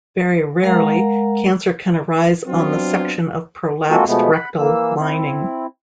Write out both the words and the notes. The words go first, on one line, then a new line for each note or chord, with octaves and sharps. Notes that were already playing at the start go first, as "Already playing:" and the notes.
Very rarely, cancer can arise on the section of prolapsed rectal lining.
G#3 A#4 F5 F#5 A#5
F#3 B3 C4 D4 F4
G#3 A#3 C4 F4 F#4 A4
B2 F3 G#3 A3 B3
F#5 B5
E3 A#3 E6
C4 E4